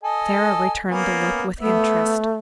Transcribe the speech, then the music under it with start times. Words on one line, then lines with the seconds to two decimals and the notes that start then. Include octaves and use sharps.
Sara returned the look with interest.
0.04 A4 D#5 G#5
0.90 A#3 B3 C#4
1.61 A3 B3 E5